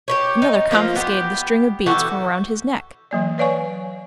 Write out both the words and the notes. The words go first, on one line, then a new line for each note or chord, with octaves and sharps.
Another confiscated the strings of beads from around his neck.
G4 B4 C#5
D#4
F3 A#3 D#4 F4
B3 G4
E3 F#4 G4 A4
E3 F#3 A#3 D5
B4 C#5 D5 F5 G#5 C#6